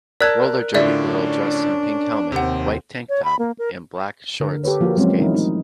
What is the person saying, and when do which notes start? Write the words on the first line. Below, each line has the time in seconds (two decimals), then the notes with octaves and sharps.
Roller derby girl dressed in pink helmet, white tank top, and black shorts skates.
0.21 A#4 D5 A5 E6 F#6 G#6 B6
0.74 A2 D3 C#4 D4 F4 D5 E5
2.32 D#2 C3 C4 G4 F#5
3.09 C#5
3.24 B5
3.39 A#3
3.59 A#4
4.40 D3 A#4
4.64 G4 A4 B4 C#5
4.81 F3 A#3 F4 F#4 A#4
4.97 F#3 G#3 A#3 C4 C#4 C5
5.19 E3 F3 D#4 E4 A#4
5.34 F#3 A3 D#4